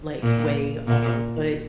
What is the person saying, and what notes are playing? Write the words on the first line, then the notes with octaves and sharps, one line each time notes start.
like, way all. But,
A#2
A#2